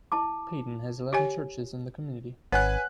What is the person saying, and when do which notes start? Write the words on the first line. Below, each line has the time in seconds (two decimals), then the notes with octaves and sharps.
Paden has eleven churches in the community.
0.12 E4 A5 D6
1.13 G4 C#5 G#5
2.52 G#1 B4 C#5 F#5 G#5 F#6